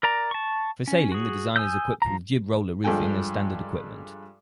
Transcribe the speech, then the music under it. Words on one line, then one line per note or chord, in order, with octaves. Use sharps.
For sailing the design is equipped with jib roller reefing as standard equipment.
A#4 D5 A#5
A5 C#6
C#4
F#4 G#4
G#5 D#6 E6 G6
F3 A#5
G2 F3 G#3 A4 G5 G#5